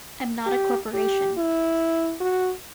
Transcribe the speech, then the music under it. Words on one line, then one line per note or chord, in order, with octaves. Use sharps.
I'm not a corporation.
G4
G4
E4
F#4